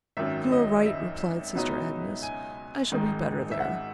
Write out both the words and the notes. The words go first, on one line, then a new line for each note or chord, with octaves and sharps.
'You are right,' replied sister Agnes, 'I shall be better there.
G#1 F#2 D#3 F#3 E5
D#5
E5
C#2 B2 F#3 B3 D#4
G#5
G#1 G#2 D#3 G#3 D#4
E5
F#5